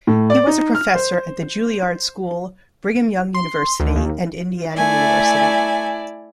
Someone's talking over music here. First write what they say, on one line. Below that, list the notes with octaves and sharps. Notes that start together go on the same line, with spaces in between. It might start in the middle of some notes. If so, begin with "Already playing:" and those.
He was a professor at the Juilliard School, Brigham Young University, and Indiana University.
A2
D5
D#4
F6
C5
C6
D2
D#2
A3 E4 D5 G#5